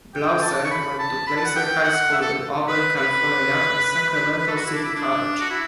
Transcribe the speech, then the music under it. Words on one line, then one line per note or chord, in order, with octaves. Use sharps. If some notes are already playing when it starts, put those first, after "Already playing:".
Blauser went to Placer High School in Auburn, California and Sacramento City College.
G5
A5
C#6
B5
A5
B5
A5
F#5
G5
F#5
E5
A4
B4
B4
B4
B4
A4
F#4
E4
D4
E4
D4
F#4
E4